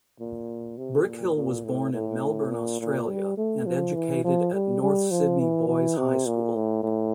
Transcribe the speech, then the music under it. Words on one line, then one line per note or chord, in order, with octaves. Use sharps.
Brickhill was born in Melbourne, Australia and educated at North Sydney Boys High School.
A#2
C3
A#2
A#2
A2
A2
A#2
A#2
G3
A3
F3
E3
F3
G3
G3
F3
E3
E3
C3
A#2
A2
A2